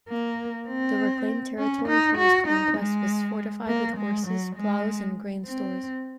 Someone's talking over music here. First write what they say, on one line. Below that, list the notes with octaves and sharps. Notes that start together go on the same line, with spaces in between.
The reclaimed territory through his conquest was fortified with horses, ploughs, and grain stores.
A#3
C4
C#4
D#4
F#4
D#4
G#3
A#3
G#3
F#3
G#3
C4